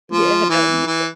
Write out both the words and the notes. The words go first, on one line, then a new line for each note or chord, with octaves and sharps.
Yeah, I don't need it.
F3
E3
E3